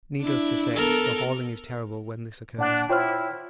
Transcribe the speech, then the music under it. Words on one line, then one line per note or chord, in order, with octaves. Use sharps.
Needless to say, the hauling is terrible when this occurs.
D4 E4
B3 A4 A#4
A#2 D4 F#5 F#6
E4 F4 C5 C#5 G5 F6